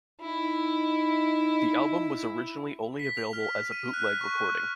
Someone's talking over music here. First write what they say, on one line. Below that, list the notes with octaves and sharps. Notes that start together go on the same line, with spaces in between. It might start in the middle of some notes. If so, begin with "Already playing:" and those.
The album was originally only available as a bootleg recording.
D#4 E4
B6
F7
F6
D#7
F#6
C#6